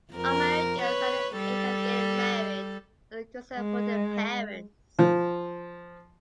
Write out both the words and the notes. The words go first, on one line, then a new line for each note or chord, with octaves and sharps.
Unmarried girls at the age of getting married are a concern for the parents.
F2 A#4
B4 C#5
G3 A4
G#3
F3